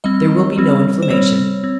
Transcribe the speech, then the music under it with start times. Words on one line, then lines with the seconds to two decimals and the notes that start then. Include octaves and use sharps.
There will be no inflammation.
0.04 G3 C4 D#5
0.58 G3 C4
1.02 C5
1.10 G3 C4 C#5
1.64 C4